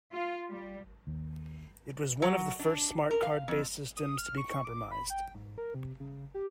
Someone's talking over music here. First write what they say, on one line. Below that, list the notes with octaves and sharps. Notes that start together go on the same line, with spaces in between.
It was one of the first smart card based systems to be compromised.
F4
G3
D#2
F#3
D4
A#4
F5
F2
D#6
F6
C#6
D6
B5
G5
G#2
A#4
C3
C#3
G4